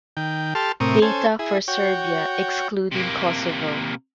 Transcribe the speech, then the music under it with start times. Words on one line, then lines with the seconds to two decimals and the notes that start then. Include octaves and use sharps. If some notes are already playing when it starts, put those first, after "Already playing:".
Data for Serbia excluding Kosovo.
0.17 D#3 G5
0.55 G4 A4 A5 C6 F6
0.80 A2 C3 C4 A#4 C#6 D#6
1.02 C#4 A4 C5 G#5
1.39 E4 G#4
1.68 F#4 C#5 G5
2.92 C3 A#3